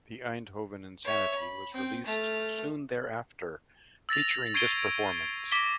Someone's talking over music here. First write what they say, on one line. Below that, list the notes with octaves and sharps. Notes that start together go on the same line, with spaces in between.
"The Eindhoven Insanity" was released soon thereafter, featuring this performance.
C#5 E5
B5
C4 G5
A3 F6
E6 A6 A#6 F7
C#6 G#6 C7 D7 D#7 G7
D6 A#6 B6 G7